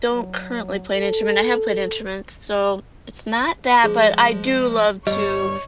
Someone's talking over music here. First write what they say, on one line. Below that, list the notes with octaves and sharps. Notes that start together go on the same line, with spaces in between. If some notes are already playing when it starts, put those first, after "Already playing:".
don't currently play an instrument, I have played instruments, so it's not that, but I do love to,
F#3
A4
F3 G#3 G#4
G1 G2 G3 C#5 D#5 C#6